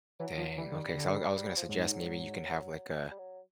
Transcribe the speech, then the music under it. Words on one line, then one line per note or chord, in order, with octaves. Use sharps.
Dang, okay. So, I I was gonna suggest maybe you can have, like, a
E3 F#3
F3
E3 G3
D3
D#3
D3
F3
G#2 F#3
G3
F#3